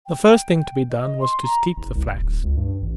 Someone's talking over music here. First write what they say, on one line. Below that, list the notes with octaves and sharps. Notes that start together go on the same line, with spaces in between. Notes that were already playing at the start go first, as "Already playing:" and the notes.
The first thing to be done was to steep the flax.
G5
G5
D#5
C6
A#5
F#1
C2
F1
D1
C#2
G2
A1